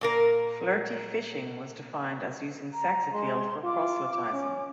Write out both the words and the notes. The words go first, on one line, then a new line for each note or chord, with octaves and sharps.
Flirty Fishing was defined as using sex appeal for proselytizing.
A#2 A#3 A#4
A#5
G#3 C6
F4 D6
C#4